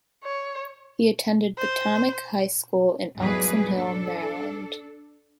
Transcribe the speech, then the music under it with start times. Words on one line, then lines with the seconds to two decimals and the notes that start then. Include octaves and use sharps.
He attended Potomac High School in Oxon Hill, Maryland.
0.24 C#5
1.58 C5
3.18 E2 G#2 F#3 G3 G#4 B4
3.76 D4 A4